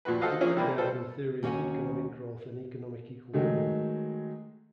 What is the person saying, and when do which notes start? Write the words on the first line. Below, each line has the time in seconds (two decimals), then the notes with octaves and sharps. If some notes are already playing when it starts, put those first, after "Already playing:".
He worked there on the theory of economic growth and economic equilibrium.
0.05 D#2 A#2 F3 F#4 B4
0.21 F4 F#4 A4 C5 D#5 F5
0.40 F3 A#3 C#4 G#4
0.56 C3 E3 G3 A#3
0.78 G3 F4 A4 C5
1.43 D#2 C#4 F#4 F5 F#5 G#5
3.33 D#3 F#3 G#3 A3